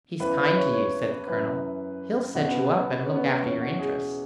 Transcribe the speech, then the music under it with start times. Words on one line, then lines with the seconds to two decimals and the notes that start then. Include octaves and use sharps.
"He's kind to you," said the colonel; "he'll set you up and look after your interests."
0.20 E2 C#3 E3 B4
0.38 B4
0.55 C#5
0.73 C#5
1.27 F#2 E3 B4
2.35 C#2 B2 F#4
2.49 B3
2.75 B3
3.03 C#4
3.15 B3
3.43 E2 B2 C#4
3.61 F#4
3.79 G#4